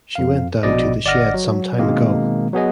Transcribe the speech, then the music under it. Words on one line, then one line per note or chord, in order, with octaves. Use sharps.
She went down to the shed some time ago.
F2 F5
A#1 B2 D5 D#5
G1 D5 D#5 F#5 F6 A#6
F#3
B2 D#3 G#3 A#3 C4
F#3 B3 G#4 D#5